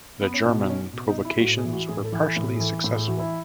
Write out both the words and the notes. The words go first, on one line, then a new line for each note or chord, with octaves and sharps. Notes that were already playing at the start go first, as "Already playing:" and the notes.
The German provocations were partially successful.
B3
C#4
B2 D#4
D#4
C#4
B2
D#4
E4
A2 F#4
G#4
E3
F#4
A2 G#4
A4
E3
A4
A2
G#4
E3 A4
A2
G#4
E3 F#4
E4